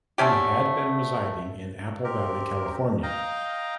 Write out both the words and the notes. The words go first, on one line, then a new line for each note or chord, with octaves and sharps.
He had been residing in Apple Valley, California.
D3 A3 C#4 G4
C4 G4 A#4
D#5 F5 G5 A#5